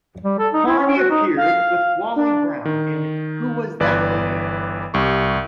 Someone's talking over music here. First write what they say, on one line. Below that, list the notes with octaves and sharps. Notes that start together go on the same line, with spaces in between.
Carney appeared with Wally Brown in Who Was That Lady?
G3
A4
D#4
E4
C#4
F#4
D#4
F5
D4
D#3
G1 E3 B4 D5 F#6
C2 G4 C#6